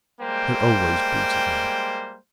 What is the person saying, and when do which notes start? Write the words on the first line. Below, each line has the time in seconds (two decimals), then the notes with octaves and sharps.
"They're always beating me."
0.21 G3 G#3 A#3 C5 G5